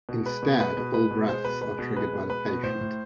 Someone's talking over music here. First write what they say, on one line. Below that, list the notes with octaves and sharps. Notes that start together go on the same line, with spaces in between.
Instead, all breaths are triggered by the patient.
B2
G#3 B4
B2
G#3 B4
B2
G#3 B4
B2
G#3 C5
B2 B4
G#3 B4
B2
G#3 B4
B2
G#3 B4
B2
A2 C5
A2